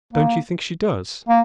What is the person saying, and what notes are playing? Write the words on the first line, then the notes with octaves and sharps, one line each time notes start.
"Don't you think she does?"
A#3
A#3